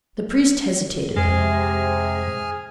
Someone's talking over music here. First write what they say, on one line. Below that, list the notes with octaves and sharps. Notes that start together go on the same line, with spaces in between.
The priest hesitated.
F2 C3 G#3 G#4 G#5 F6